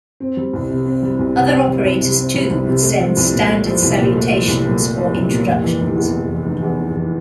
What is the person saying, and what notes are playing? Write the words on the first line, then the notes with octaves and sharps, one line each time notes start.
Other operators too would send standard salutations or introductions.
C4
G3
C2
C3
C4
G3
C2
C3
C4
G3
C2
C3
C4
G3
C2
C3
A3
F3
C2
A#2
A3
F3
C2
A#2
A3
F3
C2
A#2
A3
F3
C2
A#2
F1
E3
F1
E2
F1
E3
F1
E2
F1
E3